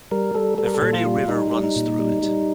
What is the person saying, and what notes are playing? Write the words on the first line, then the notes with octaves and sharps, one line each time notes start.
The Verde River runs through it.
G3 A#4
G3 A4
G3 A4
A#4
A4
A#2
F4
G3
G3 D#4
G3
D#4
A#2
G3
G3